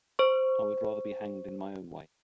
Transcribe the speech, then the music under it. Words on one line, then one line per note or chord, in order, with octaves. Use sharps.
I would rather be hanged in my own way.
C5 C#6